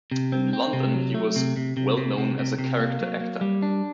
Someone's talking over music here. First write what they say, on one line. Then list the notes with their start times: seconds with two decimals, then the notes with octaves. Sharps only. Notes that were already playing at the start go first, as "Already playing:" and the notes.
In London, he was well known as a character actor.
0.12 C3
0.32 C4
0.53 C4
0.73 C3
0.94 F#3
1.14 A3
1.36 C3
1.57 C3
1.77 C3
1.97 C3
2.18 C3
2.39 C3
2.59 C3
2.80 A#3
3.01 F#3
3.20 A#3
3.41 G3
3.62 D4